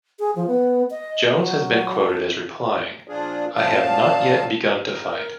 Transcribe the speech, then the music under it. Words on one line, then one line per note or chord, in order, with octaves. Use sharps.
Jones has been quoted as replying, "I have not yet begun to fight".
G#4
F3
B3
D#5
F#3
A4
A#2 F3 D4 F4 G#4
F#2 A#2 F3 F#3 F5 A5
A#4